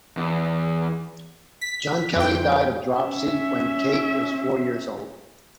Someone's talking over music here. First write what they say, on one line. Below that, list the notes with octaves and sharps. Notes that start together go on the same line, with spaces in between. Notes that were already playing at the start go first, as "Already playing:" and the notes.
John Kelly died of dropsy when Kate was four years old.
E2
B6
F2 G5
C#4 E5